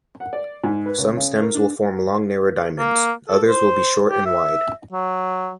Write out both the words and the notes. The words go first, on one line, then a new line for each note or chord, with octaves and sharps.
Some stems will form long narrow diamonds; others will be short and wide.
F#5
D5
G#2
B4
C#2
C#3
A#4
D4
A#3
A4
C5
G4
E5
F#3